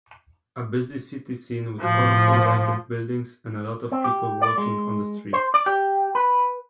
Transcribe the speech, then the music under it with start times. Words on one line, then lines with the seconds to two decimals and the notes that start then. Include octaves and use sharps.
A busy city scene with colorful lighted buildings and a lot of people walking on the street.
1.79 A2 F3
3.92 C4
4.04 G4
4.42 D5
4.58 G#3
5.33 C5
5.54 D5
5.66 G4
6.15 B4